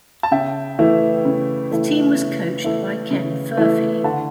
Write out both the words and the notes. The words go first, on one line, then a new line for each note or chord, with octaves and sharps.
The team was coached by Ken Furphy.
A5
C#3 E5 G5
E3 A3 E4
C#3
E3 A3 E4
C#3
E3 A3 E4
C#3
E3 A3 E4
D3 F#5 A5